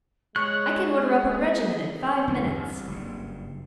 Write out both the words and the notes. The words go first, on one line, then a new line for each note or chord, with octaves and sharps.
'I can order up a regiment in five minutes.'
G#3 G#4 C#5 F#6
E2 G2 D3 E3
C2
F#1 G2